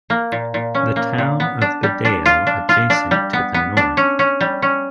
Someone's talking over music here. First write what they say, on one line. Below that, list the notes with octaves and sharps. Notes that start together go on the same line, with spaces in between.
The town of Bedale adjacent to the north.
A#3
A#2
A#2
C#4
A#3
A#2
B3
D4
G3
D4
F4
D4
F4
D4
G3
B3
B3
D4
C#4
C#4
G3
C#4